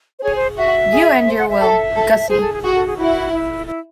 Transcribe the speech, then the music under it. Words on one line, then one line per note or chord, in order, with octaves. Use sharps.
You and your 'Well, Gussie'!
C5
G#4 C#5
C5
F#4 E5
G#4
C5
F#5
E5
A4
A4
G#4 C5
A4
G#4
F#4 G#4
A4
G#4
E4 F#4
E4
E4